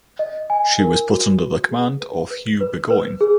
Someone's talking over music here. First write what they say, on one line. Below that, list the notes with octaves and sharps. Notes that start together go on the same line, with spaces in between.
She was put under the command of Hugh Burgoyne.
D#5
G#5
A#4
F#4
B4
G#4
B4
B4
B4
B4
G#4